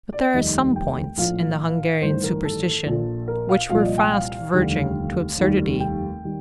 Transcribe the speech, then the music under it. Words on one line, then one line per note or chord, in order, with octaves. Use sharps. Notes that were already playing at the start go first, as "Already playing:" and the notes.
But there are some points in the Hungarian superstition which were fast verging to absurdity.
D5
F1 D#2 D#3 G3 D#5
G5
A#1 A2 F3 F5
A1 G2 D#3 C5
A#4
A4
A#1 A#2 F3
A#4
F5
C2 A#2 F3 F5
D5
D#5
G5
F5
F1 D#2 D3 G3
F1 D#2 D#3 G3
G5
D#3 G3